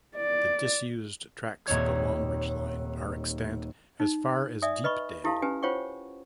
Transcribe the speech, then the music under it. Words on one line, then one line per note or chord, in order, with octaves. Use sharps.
The disused tracks of the Longridge line are extant as far as Deepdale.
D5
D#1 D#2 C4 C#5 G#6
D#4
D5 E5 G#5 D#6
B4 D#5 B5 C#6
E4 G4 A4 F5 A5
C#4 G4 B4 G#5
F4 C5 C#5 F#5 G5 C#6